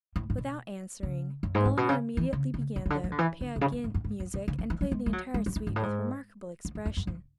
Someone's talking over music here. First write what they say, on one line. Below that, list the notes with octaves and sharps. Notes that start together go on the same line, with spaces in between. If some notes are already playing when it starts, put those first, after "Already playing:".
Without answering, Eleanor immediately began the "Peer Gynt" music and played the entire suite with remarkable expression.
A2
A2
B2
C#3
F#2
G#2
A2
B2
C#3
E3
C#3
C#3
B2
C#3
D3
F#3
D3
E3
D3
B2
C#3
A2
G#2
F#2
G#2
F#2
B2
C#3
F#3
E3
F#3
G#3
G#3
F#3
G#3
F#3
E3
G#2
A2
G#2
F#2
F#2
E2
F#2
F#2